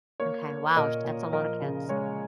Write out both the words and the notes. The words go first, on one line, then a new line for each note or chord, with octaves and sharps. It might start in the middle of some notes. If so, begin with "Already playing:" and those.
Okay. Wow. Sh that's a lotta kids.
A#3 C#5
A#3
A#2 A#4 D#5
A#2
F3 A#4 D#5
C#3
G#3 C#5